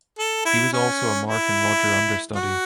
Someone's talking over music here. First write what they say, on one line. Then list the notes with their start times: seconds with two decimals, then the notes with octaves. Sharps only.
He was also a Mark and Roger understudy.
0.18 A4
0.45 E4
0.73 C#4
1.27 E4
2.36 F#4